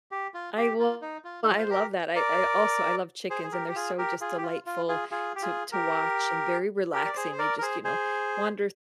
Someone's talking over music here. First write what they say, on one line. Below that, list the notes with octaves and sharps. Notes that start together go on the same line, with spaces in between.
I will I love that, I I also I love chickens and they're so just delightful to to watch and very relaxing, they just, you know, wander
G4
F4
G4
F4
D#4
F4
D#4
F4
C5
G4 A#4
A#4 D5
G#4 C5
G#4
G4 A#4
G4
F4 G#4
G4 A#4
F4 G#4
G4
F4
F4
F4 G#4
F4 G#4
G4
F4 G#4
G4 A#4
G4 A#4
D5
G#4 C5
C5
A#4 D5
A#4
G#4 C5
G#4 C5